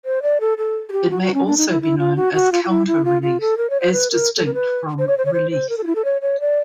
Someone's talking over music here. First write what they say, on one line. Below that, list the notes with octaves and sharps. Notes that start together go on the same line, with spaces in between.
It may also be known as counter-relief, as distinct from relief.
C5
D5
A4
A4
G#4
G4
F#4
F#4
C#4
D4
D#4
E4
E4
F4
F#4
F#4
F4
F4
E4
E4
F4
F4
A4
A#4
C#5
C5
B4
A#4
A4
A#4
B4
C5
C#5
C5
C#5
C5
C5
A#4
A4
F4
E4
A4
C#5
C#5
D5